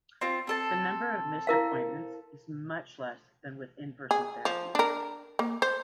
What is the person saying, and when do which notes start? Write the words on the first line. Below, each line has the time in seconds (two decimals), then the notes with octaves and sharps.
The number of missed appointments is much less than with in-person therapy.
0.21 C4 F4
0.47 C4 A4 A5
1.47 E4 A#4 F5
4.11 G#4
4.45 F3
4.75 D4 A#4
5.39 A#3
5.62 C5